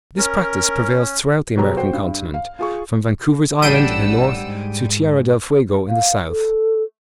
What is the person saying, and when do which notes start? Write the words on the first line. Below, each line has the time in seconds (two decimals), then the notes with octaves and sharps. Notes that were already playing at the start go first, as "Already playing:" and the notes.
This practice prevails throughout the American continent from Vancouver's Island in the north to Tierra del Fuego in the south.
0.18 C#4 A#4
1.57 B2 F#3 B3 G4 G#4 A#5
1.77 F#4 C5 G5
1.93 G2
2.34 F5
2.59 F4 G#4 C#6
3.62 A1 G3 D4 F#5 E6 G6 D7 D#7
4.44 G#2
5.89 F5
6.29 A4